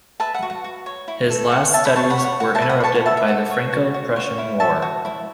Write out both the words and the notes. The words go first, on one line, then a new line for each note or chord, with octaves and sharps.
His last studies were interrupted by the Franco-Prussian War.
B4 E5 A5
F#5
F#4
F#5
F#4
C#5
E4
A4
E4 F#5
C#5 E5 A5
F#5 B5
C#5 A5 C#6
F#5 B5
C#5
F#5
F#4 F#5
E5 A5
B4
F#5 B5
B5
B4 A5 C#6
F#5 B5
F#4 E5 A5
E5
A4 F#5
C#5
F#4
F#4
C#5
E4
F#4 E5 A5
F#4
E4